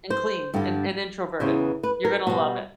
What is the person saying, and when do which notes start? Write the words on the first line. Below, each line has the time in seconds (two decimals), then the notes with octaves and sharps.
and clean and and introverted, you're gonna love it.
0.10 C5
0.54 G2 D3 G3
1.40 E2 C#3 E3 C5
1.83 B4
2.05 A#4
2.27 B2 G3 F#4